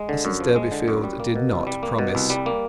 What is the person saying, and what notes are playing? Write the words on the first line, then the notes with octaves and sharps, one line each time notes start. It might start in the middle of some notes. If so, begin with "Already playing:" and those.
Mrs Durbeyfield did not promise.
Already playing: G#3
D3
F#2
F3
G#3
D3
F#2
G3
A#3
B2
C2
G3
A#3
B2
C2
G3
A#3